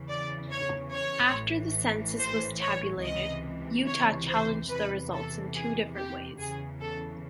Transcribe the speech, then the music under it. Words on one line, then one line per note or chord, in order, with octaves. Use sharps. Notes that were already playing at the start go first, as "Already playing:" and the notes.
After the census was tabulated, Utah challenged the results in two different ways.
Already playing: E2 C#3 E3
D5
C#5
C#5
A1 A2 E3
C5
C#5
C#2 C3 E3 D#5
C#5
C5
E2 C3 E3 B4
A4
G#4
G4
E2 C#3 E3 G#4
A4